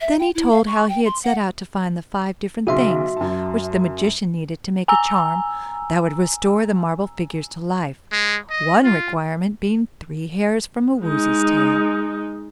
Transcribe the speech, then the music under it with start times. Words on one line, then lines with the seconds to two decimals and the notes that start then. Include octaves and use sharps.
Then he told how he had set out to find the five different things which the Magician needed to make a charm that would restore the marble figures to life, one requirement being three hairs from a Woozy's tail.
0.01 E5
0.19 G5
0.35 E4
0.52 F5
0.67 C#6
0.89 G5
1.05 C6
1.24 F#5
2.67 B1 C#3 F#4 E5 C6
3.17 F#2 A5
4.88 G#5 A#5 E6
8.12 G#3
8.50 D#5
8.84 F4
11.02 G#3 D#4